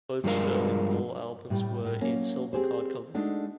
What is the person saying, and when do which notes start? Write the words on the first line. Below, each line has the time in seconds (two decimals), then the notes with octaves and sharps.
Both Sterling Ball albums were in silver card covers.
0.24 G2 F3 G#3 D4 A#4 F5
1.50 A2 C3 G3
1.85 A2
2.01 F#3 A#3 C#4
2.53 C4 G4 G#4 C5
3.14 G#3 A3 D4 D#4 F#4